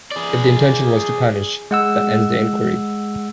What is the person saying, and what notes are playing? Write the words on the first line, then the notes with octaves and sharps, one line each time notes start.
If the intention was to punish, that ends the inquiry.
G#4 D5
G#3 F#5 E6